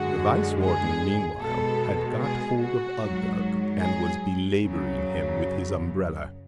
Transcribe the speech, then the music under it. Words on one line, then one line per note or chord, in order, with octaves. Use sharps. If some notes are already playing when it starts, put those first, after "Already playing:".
The Vice-Warden meanwhile had got hold of Uggug, and was belabouring him with his umbrella.
Already playing: F#2 D3 G#3 F#4
G#4
B2 G#3 A4
G#4
F#4
G#2 F#3
G#4
F#2 C#3 F#3